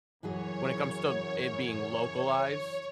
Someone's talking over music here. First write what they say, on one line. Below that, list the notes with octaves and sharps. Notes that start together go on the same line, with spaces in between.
when it comes to it being localized,
F#2 C#3 E3 F#3 G#4 C#5